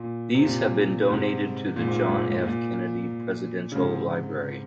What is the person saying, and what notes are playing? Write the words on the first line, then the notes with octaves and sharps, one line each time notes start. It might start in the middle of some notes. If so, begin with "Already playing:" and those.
These have been donated to the John F. Kennedy Presidential Library.
Already playing: A#2
C3
A#2
G#2 C3
A#2
G#2
A#2
G#2
G#2
A#2
C#3
G#2 C3